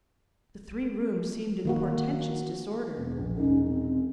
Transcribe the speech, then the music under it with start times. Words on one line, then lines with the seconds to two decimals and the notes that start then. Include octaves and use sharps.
The three rooms seemed in portentous disorder.
1.65 D#3 A#3 F#4
2.97 E1 B3
3.18 A#1
3.36 E1 C#4 D#4
3.67 C4